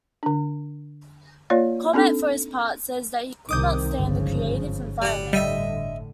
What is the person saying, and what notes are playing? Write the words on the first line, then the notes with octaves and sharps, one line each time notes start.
Chomet, for his part, says that he could not stand the creative environment.
D3 D4
A#3 F4 C#5 D5 F5
C4 D4 D#4 A4
C2 C3 D#3 D6 D#6 G6
G1 G#2 C#3 F3
A2 D3 G3 F#5
G3 D#5 E5